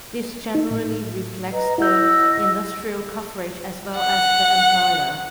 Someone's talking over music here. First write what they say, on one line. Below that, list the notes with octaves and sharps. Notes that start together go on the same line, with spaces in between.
This generally reflects the industrial coverage as well as the employer.
D#4
A2
B4 D#5 A#5
E4 D#5 F#5 E6 G6
F#5